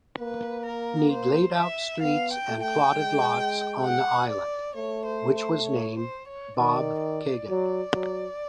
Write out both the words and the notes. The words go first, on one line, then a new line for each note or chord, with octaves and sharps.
Need laid out streets and plotted lots on the island, which was named Bobcaygeon.
A#3 B4
A#4
C5
E5
B3 F5
G5
A3
G5
G#3
F#5
D5
A3 C#5
C5
C5
C#5
C5
C#5
D#3 D5
D5
F#3
F#3